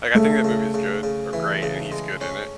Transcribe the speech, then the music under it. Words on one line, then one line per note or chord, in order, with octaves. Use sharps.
like, I think that movie is good, or great, and he's good in it,
C#3 A3
C#3
C#3
C#3
E3
C#3
G#3
C#4